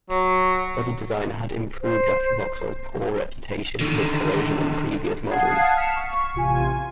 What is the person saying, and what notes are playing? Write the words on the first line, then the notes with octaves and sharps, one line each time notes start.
Body design had improved after Vauxhall's poor reputation with corrosion on previous models.
F#3
C5
D3 D#3
F5 F#5 A5 D#6 G#6 C7
F6 B6 C#7 E7
C#6
A1 C3 F4 G#5